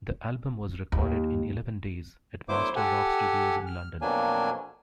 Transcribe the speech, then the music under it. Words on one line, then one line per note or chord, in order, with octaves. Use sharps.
The album was recorded in eleven days at Master Rock Studios in London.
D#2
D2 F#3 B3 E4 C5 D6
G4 A4 F#5 G#5
F6
F2 B2 F#3 A#3 D4 G#5